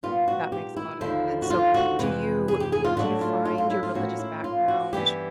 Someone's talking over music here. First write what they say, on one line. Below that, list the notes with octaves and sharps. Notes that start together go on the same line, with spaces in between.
that makes a lot of sense. So, do you do you find your religious background,
A#2 G3 B3 F4
F#4
G4
E4
D#2 D3 F3 E4
F#4
F4
F#4
F2 C3 E3 B4
G#4
G4
G#4
F4
A2 F#3 A3 D4 F#4
F4
F4
F4
E4
F4
A2 F3 A#3 C#4 E4 F#4
E4
F4
F#4
G2 E3 G3 B3 G4